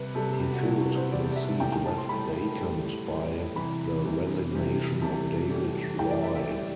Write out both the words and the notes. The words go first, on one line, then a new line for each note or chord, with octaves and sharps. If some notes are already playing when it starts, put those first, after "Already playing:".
He filled the seat left vacant by the resignation of Dawid Rooi.
Already playing: C3 G3 B4
C3 G3 A4
G4
G4
F#4
C3 G3 E4
F#4
C5
C3 G3 D5
D5
E5
A2 G3 G5
G5
A5
C6
A2 G3 B5
A2 G3
A2 G3
C3 E3 G3 B5
C3 E3 G3
C3 E3 G3
C3 E3 G3 A5
A2 E3 G3
A2 E3 G3 G5
D5
E5
E5
A2 E3 G3